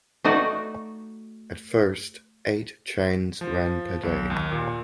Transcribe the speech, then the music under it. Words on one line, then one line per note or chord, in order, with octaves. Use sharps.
At first eight trains ran per day.
A3 D#4 F#4 D5 F#5
F3
B1
D#2
A#2